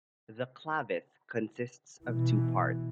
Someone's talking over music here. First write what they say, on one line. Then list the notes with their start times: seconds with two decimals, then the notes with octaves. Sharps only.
The Clavis consists of two parts.
2.02 B2 E3